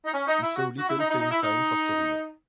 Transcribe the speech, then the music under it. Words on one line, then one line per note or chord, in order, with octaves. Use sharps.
He saw little playing time for Torino.
D#4
C#4
D#4
E4
F#4
F#4
E4
D#4
D#4
D#4
E4
D#4